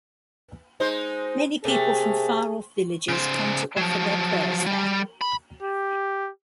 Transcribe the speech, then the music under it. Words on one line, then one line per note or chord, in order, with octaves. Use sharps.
Many People from far off villages come to offer their prayers there.
G#3 D#4 C5
C3 A3 A#3 G#4
C#3 C5
F3 F#3
G3
B5
G4